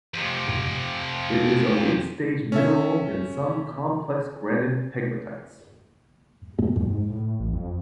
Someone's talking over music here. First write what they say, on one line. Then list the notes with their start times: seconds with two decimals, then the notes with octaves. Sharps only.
It is a late-stage mineral in some complex granite pegmatites.
0.14 F2 C3
2.52 C#4 A4 E5
6.87 G#2
7.10 A2
7.40 A1
7.53 F2